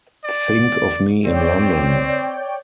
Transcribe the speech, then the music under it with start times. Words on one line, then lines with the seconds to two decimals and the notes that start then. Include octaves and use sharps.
Think of me in London!
0.24 D5
1.25 C4 C#5 D5 G5